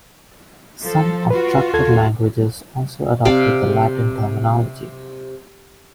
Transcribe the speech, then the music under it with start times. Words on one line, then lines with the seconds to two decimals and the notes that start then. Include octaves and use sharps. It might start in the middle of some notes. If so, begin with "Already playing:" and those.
Some constructed languages also adopted the Latin terminology.
0.80 F3 A4
1.30 F4 F#4 B4
1.73 D#2 A4 G#6
3.25 C3 D5 F5